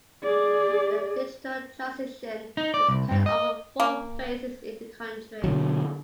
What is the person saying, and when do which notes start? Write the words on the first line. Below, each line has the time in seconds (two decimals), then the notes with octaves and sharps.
The digital transition is planned over four phases in the country.
0.23 G#4 D5
2.57 D#4
2.74 D5
2.88 C2
3.11 G2
3.26 D#5
3.80 A#3
5.44 B2 D3 F#3